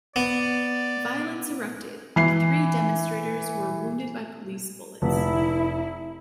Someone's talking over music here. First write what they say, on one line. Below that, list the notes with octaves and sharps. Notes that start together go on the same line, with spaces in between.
Violence erupted, and three demonstrators were wounded by police bullets.
B3 D5
E3 C7
F1 E4